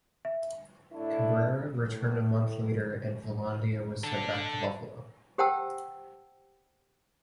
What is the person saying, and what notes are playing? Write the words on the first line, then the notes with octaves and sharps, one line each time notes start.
Cabrera returned a month later, and Velandia was sent back to Buffalo.
E5
A2 A3 D4 E4
A2
D4 A4
G4 C5 F#5 G5 A5 E6